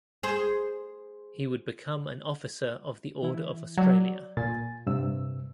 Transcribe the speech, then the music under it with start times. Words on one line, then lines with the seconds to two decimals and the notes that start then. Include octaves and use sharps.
He would become an Officer of the Order of Australia.
0.23 G#4 C5
3.23 E3 E4
3.78 F#3 D5
4.37 A#2 G#5 A6
4.87 G2 C3 E6